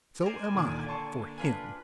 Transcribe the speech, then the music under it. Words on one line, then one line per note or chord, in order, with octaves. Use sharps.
So am I--for him.
A#4 C5 D5 G#5 D7
A#2 D3 D#3 A#3
A5 C6 C#6
D4 F4 B4 G#5